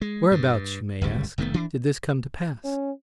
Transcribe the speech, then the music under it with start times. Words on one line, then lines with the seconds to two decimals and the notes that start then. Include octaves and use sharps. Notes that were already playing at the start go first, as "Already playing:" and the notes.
Whereabouts, you may ask, did this come to pass?
0.02 G#3
0.32 G2
1.01 D1 G1 C#2 G3
1.38 F1 D#3 A3 B3
1.54 E3 D4
2.64 C#4